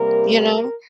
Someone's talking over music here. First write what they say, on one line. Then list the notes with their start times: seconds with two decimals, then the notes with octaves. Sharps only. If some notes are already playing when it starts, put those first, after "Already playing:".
you know?
Already playing: C3 G3 A#3 A#4
0.33 A#4